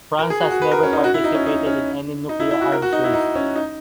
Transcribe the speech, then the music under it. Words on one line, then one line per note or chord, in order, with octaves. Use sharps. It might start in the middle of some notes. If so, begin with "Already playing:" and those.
France has never participated in any nuclear arms race.
A#4
G#4
F#4
F#4
B4
A#4
C#4
D#4
F#4
E4
D#4
C#4
D#4
C#4
D#4
E4
E4
F#4
A#4
F#4
D#4
E4
D#4
C#4
D#4